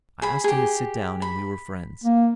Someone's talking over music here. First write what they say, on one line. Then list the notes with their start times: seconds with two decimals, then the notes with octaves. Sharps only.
I asked him to sit down and we were friends.
0.22 G#4 B5
0.44 G4 G#4
1.22 B5
2.04 A#3